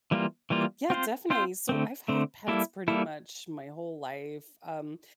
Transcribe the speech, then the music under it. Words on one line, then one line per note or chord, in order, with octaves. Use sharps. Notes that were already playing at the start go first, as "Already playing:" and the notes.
Yeah, definitely. So I've had pets pretty much my whole life. Um,
E3 G3 A#3 F4
E3 G3 A#3 F4
C4 F4 C5
C4 F4 C5
D3 A3 C4
D3 A3 C4
G3 A#3 E4 A4
G3 A#3 E4 A4